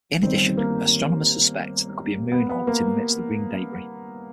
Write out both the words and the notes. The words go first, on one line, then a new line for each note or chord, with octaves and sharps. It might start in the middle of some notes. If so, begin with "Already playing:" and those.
In addition, astronomers suspect there could be a moon orbiting amidst the ring debris.
G1 G2 D#3 G3 C4
A#3
B3
B3
A#3